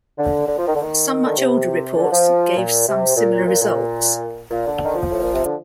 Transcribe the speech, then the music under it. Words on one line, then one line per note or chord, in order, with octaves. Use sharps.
Some much older reports gave some similar results.
D3
D3
F3
D#3
D3
D#3
D3
C3
D3
F3
A#2
C3
A#2
A#2
A#2
A#2
D3
D#3
F3
A2
A#2
C3
D3